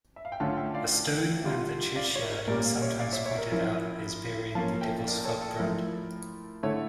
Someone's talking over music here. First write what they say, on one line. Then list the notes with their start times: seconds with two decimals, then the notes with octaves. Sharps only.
A stone in the churchyard is sometimes pointed out as bearing the Devil's footprint.
0.16 E5
0.25 F5
0.32 G5
0.40 D3 A3 C#4 F4 F5 A5
0.57 E5 G5
0.74 D5 F5
1.44 D3 G3 D4 F4
1.96 D5 F5
2.15 C#5
2.22 A#4
2.47 A#2 G3 C#4 A#4 D5
2.65 D5 F5
2.82 C#5 E5
2.99 D5 F5
3.13 C#5 E5
3.25 C#5 E5
3.38 A#4
3.52 F3 C#4 E4 A#4
4.55 F3 A#3 C#4 F5 A5
4.81 E5 G5
5.07 A#4 D5
5.24 A4 C#5
5.41 A4
5.59 F3 A3 E4 A#4
6.63 D3 A3 E4 A4 C#5